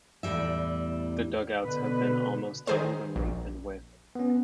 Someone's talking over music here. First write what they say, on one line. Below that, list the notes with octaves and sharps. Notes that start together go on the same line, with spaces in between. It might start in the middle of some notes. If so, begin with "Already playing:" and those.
The dugouts have been almost doubled in length and width.
E2 A2 C#3 G3 E5
B2 D3 B4
D#3 G#4 C5
A#1
B3 C#4